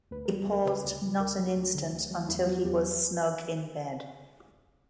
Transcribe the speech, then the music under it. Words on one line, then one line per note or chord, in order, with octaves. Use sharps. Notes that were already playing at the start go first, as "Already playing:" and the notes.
He paused not an instant until he was snug in bed.
D2 B4
A#4
G3
G4
D2 A#4
C#3 B4
D2
G3
D2 A#4
F#3
F#4
D2
D3
D2
F#3
E2 E4
F#3 F#4
E2 G4